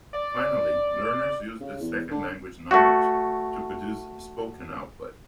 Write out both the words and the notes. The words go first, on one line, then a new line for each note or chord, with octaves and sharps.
Finally, learners use this second-language knowledge to produce spoken output.
D5
C#3
E2
D3
A3 F#4